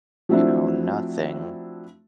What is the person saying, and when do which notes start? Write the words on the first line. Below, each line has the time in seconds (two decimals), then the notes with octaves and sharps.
you know, nothing
0.29 F3 F#3 A3 C4 D4 E4